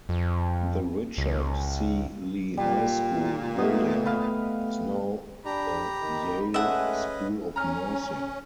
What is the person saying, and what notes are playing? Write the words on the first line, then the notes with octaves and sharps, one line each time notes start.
The Richard C Lee High School building is now the Yale School of Nursing.
F2
C#2
A#2 G3
A3 B3 D#5
B4 D#5 F5
D4 G4 A#5 B5
D#3
G#3 A3 C#4 B4 D#5 E5 F#5
C#4 A#5 F6